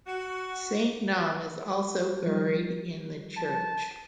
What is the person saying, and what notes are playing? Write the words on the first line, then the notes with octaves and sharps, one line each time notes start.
Saint Naum is also buried in the church.
F#4
F3 G3
A5